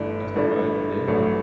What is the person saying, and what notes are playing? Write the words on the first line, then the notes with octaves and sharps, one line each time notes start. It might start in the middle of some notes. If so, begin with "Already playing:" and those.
that's to what I yeah.
Already playing: G1 G2 E3 A3 D4
G1 G2 E3 A3 D4
A1 G2 F#3 A3